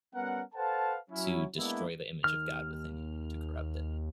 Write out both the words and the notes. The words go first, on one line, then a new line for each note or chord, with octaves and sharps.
to destroy the image of God within you, to corrupt it.
G3 B3 C#4 A#4 F#5
A4 B4 C5 F5 F#5 A5
F#3 C#4 E4
G#3 A#3 B3 D4 E4
D#2 F6